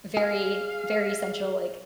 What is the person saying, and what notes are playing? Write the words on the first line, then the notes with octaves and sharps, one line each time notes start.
very, very central, like,
G#4 F5